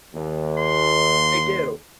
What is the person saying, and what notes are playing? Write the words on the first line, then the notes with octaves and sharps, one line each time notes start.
They do.
D#2
C6